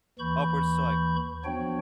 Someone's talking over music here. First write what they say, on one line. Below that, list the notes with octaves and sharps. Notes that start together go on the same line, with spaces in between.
upwards to, like,
D#2 E3 B5 C#6 G6
F3 B3 D4 F#4 C#5 G5